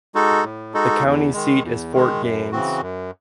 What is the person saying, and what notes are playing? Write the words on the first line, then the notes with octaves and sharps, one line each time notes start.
The county seat is Fort Gaines.
G#3 D#4 F#4 A4
A2
G#3 D#4 F#4 A4
E2
D#3 G#3
E2
D#3 G#3
F#2
C#3 E3 C4 F#4
F#2